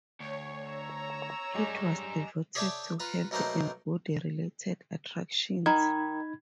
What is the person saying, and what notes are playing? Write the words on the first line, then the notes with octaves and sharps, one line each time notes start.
It was devoted to health and body related attractions.
D2 C#5
A#5 E6
F#2 G3 G#3 G4
G#4 C#5 D5 E5 G5 A5
F4 B4 A#5
B1 A3 A#3 D#4 C5 F#5
D#3 D#4 B5 G#6